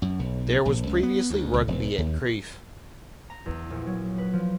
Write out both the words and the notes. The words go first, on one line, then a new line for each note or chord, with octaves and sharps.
There was previously rugby at Crieff.
F#2
B1
A#1
C#2
B3
D2
C#2
E1
D#2
A#5
E2
A#1
F#3
B4
F3